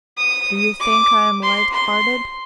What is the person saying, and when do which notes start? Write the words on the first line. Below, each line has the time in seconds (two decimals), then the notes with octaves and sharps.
Do you think I'm light-hearted?
0.18 D#6
0.80 D6
1.43 C6
1.74 C6